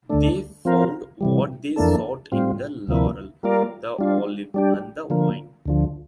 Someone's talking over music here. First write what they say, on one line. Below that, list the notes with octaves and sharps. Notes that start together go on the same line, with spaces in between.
They found what they sought in the laurel, the olive, and the vine.
D2 D3 A3 D4
F3 C4 F4 A#4
C3 E3 G3
F2 E3 A#3 D4 A4
A2 G3 C4 F4
D2 C3 F3 A#3 E4
G3 A#3 F4 A#4 D5
G3 D4 F4
G3 D4 G4
D3 F3 A#3
D2 D3 F3